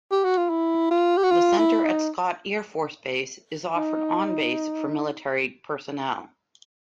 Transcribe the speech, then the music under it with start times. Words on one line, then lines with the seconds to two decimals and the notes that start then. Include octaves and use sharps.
The Center at Scott Air Force Base is offered on-base for military personnel.
0.12 G4
0.24 F#4
0.37 F4
0.50 E4
0.91 F4
1.17 G4
1.24 F#4
1.31 F4
1.58 E4
1.85 D#4
3.75 D#4